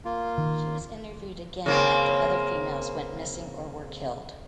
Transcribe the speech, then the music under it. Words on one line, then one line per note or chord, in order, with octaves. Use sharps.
She was interviewed again after other females went missing or were killed.
A#3 F4
D#3
C#3 A#3 C4